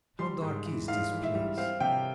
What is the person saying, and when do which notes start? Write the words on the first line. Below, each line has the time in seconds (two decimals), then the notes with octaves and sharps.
How dark is this place!
0.19 G3 C6
0.42 G#2
0.66 E3
0.88 G#2 F5
1.12 E3
1.23 E5
1.35 G3
1.57 C4 F5
1.80 C3 G5